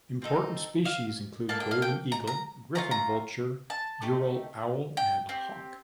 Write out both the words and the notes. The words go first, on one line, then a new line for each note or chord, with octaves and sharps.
Important species include golden eagle, griffon vulture, Ural owl and hawk.
C4 D#4 A4
F5
A#3 D4 A4 A5
G5
F5
G5
A#5
A#5
A3 D4 F4 A#5
A#5
A5
A3 D#4 G4
G5
C4 G4